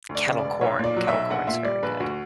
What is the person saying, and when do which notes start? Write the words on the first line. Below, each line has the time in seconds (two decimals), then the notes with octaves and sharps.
kettle corn, kettle corn's very good.
0.09 D2
0.15 D5
0.27 C#3
0.38 D5
0.44 E1
0.61 B1 C#5
0.79 A#2 D5
0.96 F#3
1.08 E5
1.13 B1
1.30 A#1 F#5
1.47 A#2 E5
1.65 G3 D5
1.83 A#1 B4
2.00 D2 F#4